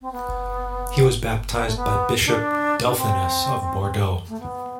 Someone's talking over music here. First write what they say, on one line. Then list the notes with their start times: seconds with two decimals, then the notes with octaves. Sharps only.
He was baptized by Bishop Delphinus of Bordeaux.
0.01 C4
0.12 B3
1.55 B3
1.66 A3
1.76 B3
2.26 D4
2.86 D4
2.97 C4
4.28 A3
4.40 B3